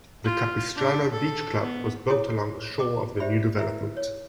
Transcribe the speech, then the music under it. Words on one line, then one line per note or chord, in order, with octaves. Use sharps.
The Capistrano Beach club was built along the shore of the new development.
F4
D4
A4
B3
E4 G#4 A4 C#5 D#6
D#5 D6
G4 C5 D5 E5 B5
E4 A#4 B4 E5
C#5